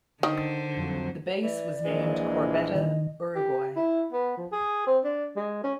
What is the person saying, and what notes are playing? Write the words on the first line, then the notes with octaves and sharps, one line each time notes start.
The base was named Corbeta Uruguay.
D3 D#3 C5
F2 F#3
E3 D5
A#1 E3 G#3
D#3 D#5
G4
E4
B3
F3
G#4
C4
D4
G#3
C#4